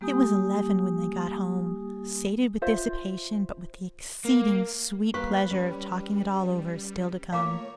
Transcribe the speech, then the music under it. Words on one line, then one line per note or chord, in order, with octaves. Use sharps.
It was eleven when they got home, sated with dissipation, but with the exceeding sweet pleasure of talking it all over still to come.
G3 A#3 G4 G#5 D#6
F4 C5 E5
A#3
G3 A#3 B4 F5 C#6
G3 C#4
A3 A#3 F4 C#5 F5 A#5 D6